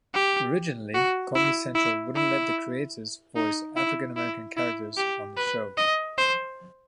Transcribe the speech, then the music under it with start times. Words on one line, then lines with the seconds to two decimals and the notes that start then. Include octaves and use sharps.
Originally Comedy Central wouldn't let the creators voice African-American characters on the show.
0.14 G4
0.94 F#4
1.35 E4
1.75 E4
2.15 E4
3.36 D#4
3.76 E4
4.16 E4
4.57 E4
4.97 G4
5.37 B4
5.77 D#5
6.17 C5